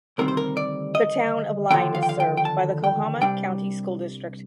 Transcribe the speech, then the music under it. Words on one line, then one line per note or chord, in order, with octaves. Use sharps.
The town of Lyon is served by the Coahoma County School District.
D2 C3 D#3 G3 C4 A#4
C5
A#4
D5
D#5
D#2 D3 F3 G5
F5
G5
F5
G5
G5
A5
G5
C2 C3 G3 D4 G5